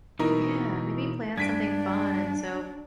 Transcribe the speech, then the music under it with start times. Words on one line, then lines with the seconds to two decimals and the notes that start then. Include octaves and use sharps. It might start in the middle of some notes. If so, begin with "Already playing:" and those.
Yeah, maybe plan something fun, and so
0.19 B2 E3 D#4 E4 A#4
1.38 G2 D4 G#6 B6 D7